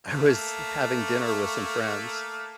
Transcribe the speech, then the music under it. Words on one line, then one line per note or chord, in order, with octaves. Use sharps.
I was having dinner with some friends,
A3 A#3